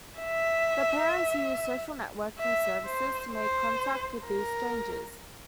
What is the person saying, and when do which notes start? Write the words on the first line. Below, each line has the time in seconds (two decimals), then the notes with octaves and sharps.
The parents use social networking services to make contact with these strangers.
0.20 E5
2.38 E5
2.85 C5
3.33 C5
4.27 A#4